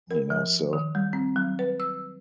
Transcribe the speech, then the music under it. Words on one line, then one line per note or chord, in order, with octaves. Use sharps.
you know, so
A#4
F3
D#3
G3
C4
F#3
B4
E6